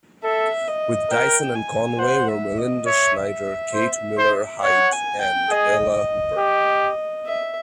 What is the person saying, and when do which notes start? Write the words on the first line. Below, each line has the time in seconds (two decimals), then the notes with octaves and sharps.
With Dyson and Conway were Melinda Schneider, Kate Miller-Heidke and Ella Hooper.
0.24 A4 E5
0.67 D#5
1.11 A#4 G5
1.55 G#5
1.99 C5 F#5
2.28 E5
2.58 D#5
2.86 C#5 E5
3.74 C5
4.18 C5
4.62 C#5 F#5
4.92 G#5
5.21 G5
5.50 G#4 D#5
5.94 D#5
6.38 G4
7.26 E5